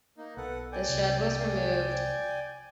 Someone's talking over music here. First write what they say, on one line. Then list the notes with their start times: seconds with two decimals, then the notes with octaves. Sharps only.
The shed was removed.
0.18 A#3 D#4
0.37 B1 A4 B4 F#5
0.72 D5 G5 G#5
0.89 C2